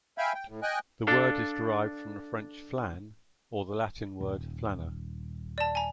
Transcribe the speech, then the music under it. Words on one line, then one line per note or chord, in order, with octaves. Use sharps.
The word is derived from the French "flan"; or the Latin word "flana".
E5 F5 G5 G#5 B5
G5
A2
D#5 G5 G#5 F#6
D4 A4 F5
D#1
D5 A5
G#5 A#5